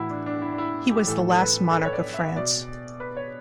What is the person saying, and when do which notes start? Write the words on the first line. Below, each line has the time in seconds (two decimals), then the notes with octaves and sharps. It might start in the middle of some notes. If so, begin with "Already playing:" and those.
He was the last monarch of France.
Already playing: A2 E3 E4 F#4
0.10 D4
0.26 D4
0.42 E4
0.52 D4
0.58 E4
0.90 G4
1.07 A2 E3 A4
1.31 A4
1.39 B4
1.71 A4
1.78 B4
1.85 C#5
1.93 D5
2.14 E5
2.36 B2 D5
3.00 B4
3.17 C#5